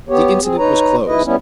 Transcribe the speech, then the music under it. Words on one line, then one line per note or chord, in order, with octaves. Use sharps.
The incident was closed.
B3 G4 C#5
C4 G#4
D#4 B4 C#5 A#5
E2 G#2 E4 B4 D#5
G3 B3 C#4 E4